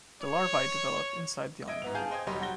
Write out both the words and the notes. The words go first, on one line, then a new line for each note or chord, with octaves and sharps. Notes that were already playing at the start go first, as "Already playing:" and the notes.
The larvae develop inside the almond fruit.
C#5
D#5 E5 G#6 D7
G#2 B3 F7
G#4 F5 G#5 A5 G6
C5 D#5 G5 G#5 D#6 G#6
F1 F#3 G3 G4 D#5 C6
F#3 G3 F#4 G5 A#6 G7